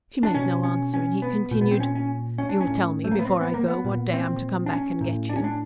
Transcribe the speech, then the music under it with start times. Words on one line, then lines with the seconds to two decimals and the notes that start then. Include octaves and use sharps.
She made no answer, and he continued: "You'll tell me before I go what day I'm to come back and get you?"
0.23 D4
0.34 B2 C#4
0.63 C#4
0.94 C#4
1.22 B3
1.51 A#2
1.61 B3
1.71 C4
1.80 C#4
1.95 C#4
2.38 C#4
2.49 D4
2.61 C#4
2.67 A2
3.04 A3
3.11 A#3
3.19 B3
3.25 C4
3.41 B3
3.54 A#3
3.68 B3
3.85 A#2
4.14 C4
4.66 D4
4.72 C#4
5.01 A2
5.29 D4
5.36 C#4
5.44 D4